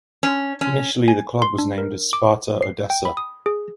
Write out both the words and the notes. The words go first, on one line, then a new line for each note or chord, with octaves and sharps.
Initially the club was named as Sparta Odessa.
C#4
C#4
G#5
C6
D4
A#4
D6
C7
G5
B5
D#6
G#4